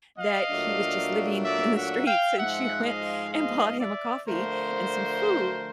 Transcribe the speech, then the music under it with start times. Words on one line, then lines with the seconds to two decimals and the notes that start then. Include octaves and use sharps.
that he was just living in the streets, and she went and bought him a coffee and some food,
0.17 D#5 F5
0.50 A#2 F#3 A3 D4
1.43 D5 E5
1.75 E5 F#5
2.06 F5 G5
2.38 G#2 F3 G#3 E5 F#5
2.85 D#5 F5
3.33 D#5 F5
3.80 D5 E5
4.27 D3 F3 A3 A#4 C5